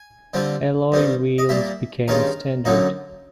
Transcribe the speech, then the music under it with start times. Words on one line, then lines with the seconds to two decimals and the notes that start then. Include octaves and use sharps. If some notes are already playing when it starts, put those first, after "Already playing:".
Alloy wheels became standard.
Already playing: G#5
0.34 D3 G3 C4 F4
0.92 G2 D#3 G3 C4
1.38 D#5
1.49 A#2 G3 A#3 E5
2.08 G2 D#3 G#3 C#4 F4 A#4
2.65 F#2 D3 F#3 A#3 D#4